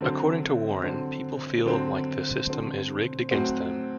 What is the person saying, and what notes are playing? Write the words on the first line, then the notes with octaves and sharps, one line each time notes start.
According to Warren, People feel like the system is rigged against them.
D3 F#3 C4
D3 F#3 C4
D3 F#3 C4
D3 F#3 C4
A2 F#3 C4 F#4